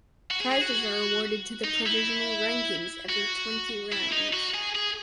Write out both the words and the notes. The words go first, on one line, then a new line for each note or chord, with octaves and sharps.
Prizes are awarded to the provisional rankings every twenty rounds.
F#4
G#4
G#4
F#4
D#4
E4
F#4
E4
D#4
F#4
G#4
G#4